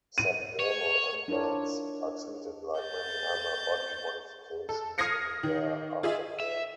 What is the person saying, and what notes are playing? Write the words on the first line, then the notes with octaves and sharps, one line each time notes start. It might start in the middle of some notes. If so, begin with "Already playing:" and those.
Subdermal implants are treated like many other body modifications in their aftercare.
D#7
C#5
D4 E4 F4 A#4 C#5
G6 A6
A4
D#6 F6 G#6 A#6 C7 C#7
D#3
F4 G#4 D#5 E5
E5